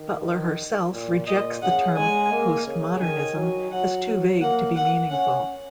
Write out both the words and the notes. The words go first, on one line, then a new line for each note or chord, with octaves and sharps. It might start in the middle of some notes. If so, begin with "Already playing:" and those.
Butler herself rejects the term "postmodernism" as too vague to be meaningful.
Already playing: D#3
A#2
A#2 D#5
C#3 F#5
G#3 G#5
A#3
C#3
D#3 G#5
F#3
F#3 F#5
F#3
A#3 F#5
F#5
C#4 F#5